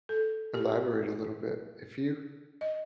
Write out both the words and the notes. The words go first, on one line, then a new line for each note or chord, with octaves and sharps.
elaborate a little bit. If you
A4
G4
D#5